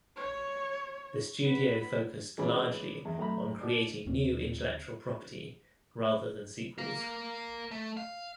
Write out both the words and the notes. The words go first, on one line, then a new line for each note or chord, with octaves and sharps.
The studio focused largely on creating new intellectual property rather than sequels.
C#5
B3 B5
G#2 E3 B3 C#4 D4 B5
E2
B1 A3 A#5 B5
B2 D5
D#2 C4 C#4
A#4 F5
A3
F5